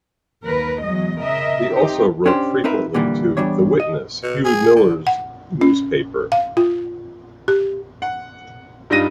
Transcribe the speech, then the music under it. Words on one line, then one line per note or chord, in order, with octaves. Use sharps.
He also wrote frequently to "The Witness", Hugh Miller's newspaper.
D#2 A#4 B4
E2 F#3 G#3 D#5
C#3 A#4 D#5 E5
C4 D#4 G4
C#4 D4 G4 C5
C4 D#4 A#4 B4 E5
A#2 D3 E3 G3 A#3
E2 G3 D4 C#5
D#5
B2
G#4
D3
F#5
C#4
F5
F4
G4
F#5
G2 G3 D#4 F4 A#6 D#7